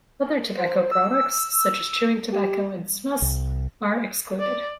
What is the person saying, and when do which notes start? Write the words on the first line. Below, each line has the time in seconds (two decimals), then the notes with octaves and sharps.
Other tobacco products, such as chewing tobacco and snus, are excluded.
0.57 C5
0.92 E6
2.32 G4
3.22 C2
4.40 D5